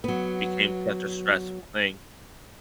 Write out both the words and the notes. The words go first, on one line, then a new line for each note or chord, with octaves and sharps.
Became such a stressful thing.
F#3 B3